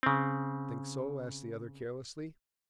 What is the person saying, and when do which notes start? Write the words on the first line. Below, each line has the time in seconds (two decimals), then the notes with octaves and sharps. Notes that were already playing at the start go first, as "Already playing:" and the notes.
"Think so?" asked the other carelessly.
0.03 C#3 C4